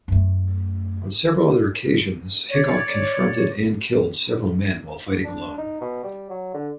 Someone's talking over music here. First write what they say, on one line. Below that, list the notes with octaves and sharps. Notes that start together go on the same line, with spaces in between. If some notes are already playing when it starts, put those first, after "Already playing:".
On several other occasions, Hickok confronted and killed several men while fighting alone.
F#2 A3
C#5 D5
D4
D#4
B2
G3
F#3
D3